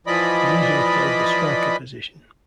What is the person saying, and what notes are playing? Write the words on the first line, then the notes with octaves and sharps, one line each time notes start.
He usually played the striker position.
E3 F3 D5 D#5 B5